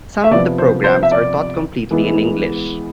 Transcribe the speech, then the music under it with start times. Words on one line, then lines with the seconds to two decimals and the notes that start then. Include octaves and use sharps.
Some of the programmes are taught completely in English.
0.24 E5
0.31 C3 F3 B3 D5
0.58 C5
0.84 C5
1.03 E5
1.11 D5
1.91 E3 G#3 B3